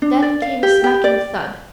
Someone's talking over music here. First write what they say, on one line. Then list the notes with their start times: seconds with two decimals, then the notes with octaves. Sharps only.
Then came a smacking thud.
0.02 D4
0.22 D5
0.42 F5
0.63 G4
0.84 G4
1.04 D5